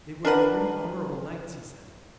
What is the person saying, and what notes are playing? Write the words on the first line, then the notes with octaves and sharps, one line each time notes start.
'They were three honourable knights,' he said.
D4 A#4 B4 F#5